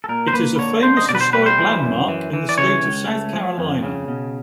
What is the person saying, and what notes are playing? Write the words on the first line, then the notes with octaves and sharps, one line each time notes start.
It is a famous historic landmark in the state of South Carolina.
A4
A#2 A#4
C5
A#3 B4
D3 C#5
D3 C5
D#5
B2 D5
B4
C5
G3 B4
C5
E3
F#2
E3
E3
D5
C#3 C#5
C#2
A3
F3
F2
C#3
B2